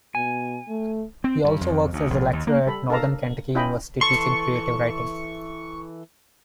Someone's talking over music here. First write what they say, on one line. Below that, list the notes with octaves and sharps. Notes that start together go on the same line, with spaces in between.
He also works as a lecturer at Northern Kentucky University, teaching creative writing.
B2 G#5
A3
C4
G2
F2
D2
A#1
D#2
A#3
G3 A4 B5
D4 A4 A#4 F5 A5 A#5
C#4 E4 F4 D#5 G5 B5
E3 A4 C6 C#6